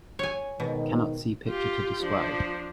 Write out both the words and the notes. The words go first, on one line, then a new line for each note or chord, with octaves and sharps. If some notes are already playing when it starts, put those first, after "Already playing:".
Cannot see picture to describe.
C#5 G#5
G#2 B2 D#3
F4 G4
F3 D4